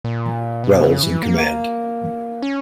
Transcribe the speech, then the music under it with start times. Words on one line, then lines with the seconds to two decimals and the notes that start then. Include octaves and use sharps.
Wells in command.
0.04 A#2
0.64 B2
0.84 C#3
1.03 E3
1.23 A#3
2.42 C#4